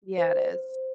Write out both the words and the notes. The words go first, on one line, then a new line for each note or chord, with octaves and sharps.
Yeah, it is.
C5
C5